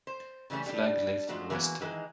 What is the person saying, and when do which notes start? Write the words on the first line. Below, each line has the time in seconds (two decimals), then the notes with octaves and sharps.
Flagg lived in Westoe.
0.07 C5
0.50 C#3 E3 G3 A3 C#4
0.66 G3 D4
1.29 F3 G#3 A3 F#4
1.50 E3 G#3 A#3 B3 F#4
1.81 D#3 E3 G#3 E4